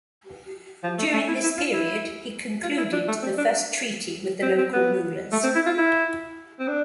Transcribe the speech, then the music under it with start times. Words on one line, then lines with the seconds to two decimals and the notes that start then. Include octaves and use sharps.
During this period, he concluded the first treaty with the local rulers.
0.84 F3
0.98 A3
1.13 A3
1.28 E4
1.43 E4
1.58 F4
1.73 E4
2.63 F4
2.78 E4
2.93 D4
3.08 A3
3.22 C4
3.38 D4
4.42 C4
4.58 C4
4.73 B3
5.32 A3
5.43 C4
5.55 E4
5.66 F4
5.78 E4
6.59 C4
6.68 D4